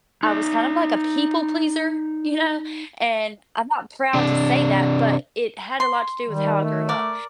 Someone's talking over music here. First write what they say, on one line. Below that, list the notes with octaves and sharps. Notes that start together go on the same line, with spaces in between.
I was kind of like a people pleaser, you know, and I'm not proud to say that, but it had a lot to do with how I grew up,
D#4 D5
C3 D4
C6
D#3 G3
A3
A#4 D5